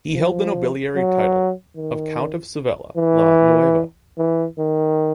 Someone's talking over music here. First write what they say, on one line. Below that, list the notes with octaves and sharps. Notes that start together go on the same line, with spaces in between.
He held the nobiliary title of "Count of Sevilla la Nueva".
F3
F#3
D#3
E3
E3
D#3